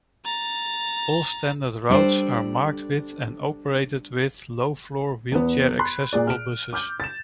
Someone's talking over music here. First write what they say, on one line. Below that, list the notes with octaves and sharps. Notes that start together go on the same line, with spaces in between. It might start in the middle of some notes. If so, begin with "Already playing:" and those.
All standard routes are marked with and operated with low-floor, wheelchair-accessible buses.
A#5 A6
G3 D4 A4 C5
E2 B3
B5 C6 F#6
A#2 G#4 D5
F6 D7
D6 F6 G6
A6 E7